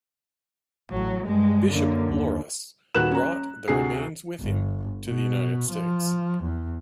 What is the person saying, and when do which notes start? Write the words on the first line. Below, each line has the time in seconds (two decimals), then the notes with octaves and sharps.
Bishop Loras brought the remains with him to the United States.
0.92 A1 F#3
1.26 G2 G3 G#3
1.71 F#2 D3 A#3
2.08 D#2
2.95 D#1 D#3 F#4 B4 F#6 E7
3.11 C#4 A#5
3.68 D2 C3 F#4 G#4 C7
4.40 G1
5.08 B2
5.72 F3
6.43 E2